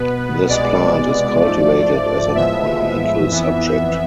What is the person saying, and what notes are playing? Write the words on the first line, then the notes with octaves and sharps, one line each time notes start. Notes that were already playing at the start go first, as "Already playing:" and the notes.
This plant is cultivated as an ornamental subject.
Already playing: B2 B3 B4
C2 B2 G#3 B3 D5
G#2 F3 A3
A2 F3 G#3 B3 E5
F2 E3 B3